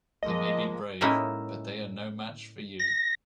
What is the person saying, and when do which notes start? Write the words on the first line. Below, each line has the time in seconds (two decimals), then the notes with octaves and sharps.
They may be brave, but they are no match for you.
0.23 F3 G#3 A#3 D#5
1.01 A2 G#3 A#3 C#4 D#4 E4
2.80 A#6